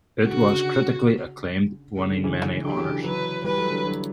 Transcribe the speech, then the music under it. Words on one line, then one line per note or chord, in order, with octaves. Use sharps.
It was critically acclaimed, winning many honors.
C#3 F#4
D3
C#3
C#3
D3
C#3 E3
D3 F#3 G4
C#3 E3
D3
D3 F#3 B4
E3 G3 B4
F#3 A3
D3 F#3
D3 F#3